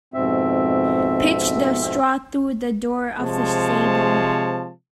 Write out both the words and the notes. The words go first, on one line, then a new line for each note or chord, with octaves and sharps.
Pitch the straw through the door of the stable.
F2 G#2 B2 C4 E5
C3 F3 G#3 C#5 A5